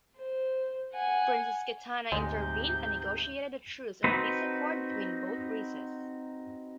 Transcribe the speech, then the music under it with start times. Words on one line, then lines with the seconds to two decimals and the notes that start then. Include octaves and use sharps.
Princess Kitana intervened and negotiated a truce and peace accord between both races.
0.17 C5
0.93 F#5 G#5
2.12 D2 G#2 C3 G#3 G6
4.04 C4 D#4 F#4 B4